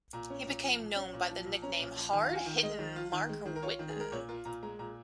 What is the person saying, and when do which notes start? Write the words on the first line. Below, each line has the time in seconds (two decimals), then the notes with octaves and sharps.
He became known by the nickname "Hard-Hittin'" Mark Whiten.
0.13 A#2 A#5
0.30 C#4
0.46 A#2
0.63 F3
0.80 A#2
0.96 C#4
1.13 A#2
1.29 F3
1.46 A#2
1.62 C#4 A#5
1.80 A#2
1.96 F3
2.13 D#3 G#5
2.24 F4 F5
2.35 G#5
2.46 D#3
2.63 G#3 D#5
2.79 D#3
2.96 F4
3.12 D#3
3.29 G#3
3.46 D#3
3.56 A#4
3.62 F4 C#5
3.79 D#3
3.89 G#4
3.96 G#3 A#4
4.12 A#2 C#5
4.29 F4 A#4
4.45 A#2 A#5
4.63 G#3 A#5
4.79 A#2 A#5